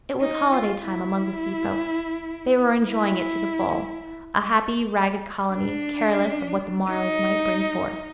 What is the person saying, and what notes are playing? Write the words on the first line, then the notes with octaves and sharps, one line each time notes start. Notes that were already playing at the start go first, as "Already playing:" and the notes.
It was holiday time among the sea folks. They were enjoying it to the full, a happy, ragged colony, careless of what the morrows might bring forth.
D#4
F4
E4
E4
D4
D#4